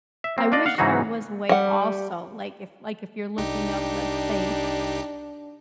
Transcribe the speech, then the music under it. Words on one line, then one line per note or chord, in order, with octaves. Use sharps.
I wish there was a way also. Like, if like, if you looking up, let's say
E5
F#3 A#3 C4
D4 F4 D5 D#5
F5 F#5
G#2 C#3 E3 F#3 D#4 F#4
G3 F#5
C2 D4 D#4 G4